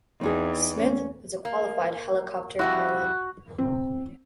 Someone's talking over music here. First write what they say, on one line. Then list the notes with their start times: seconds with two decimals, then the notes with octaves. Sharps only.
Smith was a qualified helicopter pilot.
0.21 E2 C4 D#4 G#4
0.78 C#4
1.45 A#3
2.59 F2 G3 E4 F#4
3.58 C4